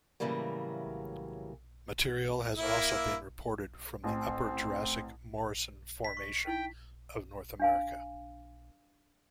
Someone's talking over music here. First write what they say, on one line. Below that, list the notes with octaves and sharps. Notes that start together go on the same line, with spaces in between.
Material has also been reported from the Upper Jurassic Morrison Formation of North America.
A2 C#3 E3 F#3 G3 A#3
A#3 E4 E5
A1 C4
D#5 B6
C#6
D#4 E4 G5
D4 F5 G#5